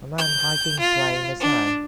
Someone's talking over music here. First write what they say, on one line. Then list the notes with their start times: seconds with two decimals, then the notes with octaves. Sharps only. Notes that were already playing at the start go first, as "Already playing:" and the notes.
A man hiking his way in the snow.
0.18 G6
0.80 F4
1.40 D4